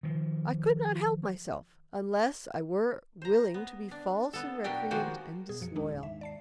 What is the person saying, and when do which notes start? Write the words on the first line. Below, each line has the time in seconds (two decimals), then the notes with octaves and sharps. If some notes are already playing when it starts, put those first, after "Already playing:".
I could not help myself, unless I were willing to be false and recreant and disloyal.
0.03 D#3 F3
3.22 C5 A#5
3.54 B3
3.91 D4
4.33 B3 A4
4.64 B2 F#3 D4 G4 A#4 G5
4.91 D#3 F3 G#3 A#3 F#4 C5
5.49 B2 G#4
5.61 F#2 F3 F#3 C#7
5.76 D1 E2 G#3 D4 D#4
6.03 D#2 G#2 E5
6.21 D5 A5 C7